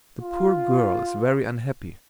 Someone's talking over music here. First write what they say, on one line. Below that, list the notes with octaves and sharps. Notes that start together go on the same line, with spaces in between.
The poor girl is very unhappy.
F4